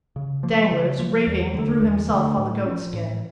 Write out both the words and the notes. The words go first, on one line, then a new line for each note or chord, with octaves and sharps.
Danglars, raving, threw himself on the goat-skin.
C#3
F3 A#3
C#3
F3 A#3
E2
D3 A3
E2
D3 A3
A2
F3 C#4
A2